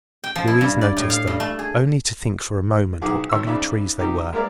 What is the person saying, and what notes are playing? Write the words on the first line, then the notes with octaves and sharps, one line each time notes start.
Louise noticed them, only to think for a moment what ugly trees they were.
G5
F3
E4
G2
D5
A2
F5
G2
A3
G#4
B1 A2 D#3 G#4 F#5 D6
G#1 C#5 E6
G#2 C#3 D5 E5 B5
B2 F#3 D#4 G4
G#3 A#3 A#4 D5 E5